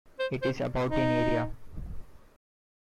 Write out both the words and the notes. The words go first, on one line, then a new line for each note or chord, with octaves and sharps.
It is about in area.
C5
C5
D#4